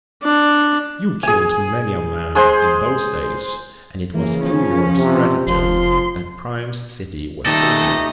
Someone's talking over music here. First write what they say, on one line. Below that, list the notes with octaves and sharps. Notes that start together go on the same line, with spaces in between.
You killed many a man in those days, and it was through your stratagem that Priam's city was taken.
D4
G#4 G#5
G#3 G#4 C5 C6
C#3 E3 A#3
F3 C#4
C3
F1 F3 C6
A#2 D#3 A3 D#4 G4 A4 D#5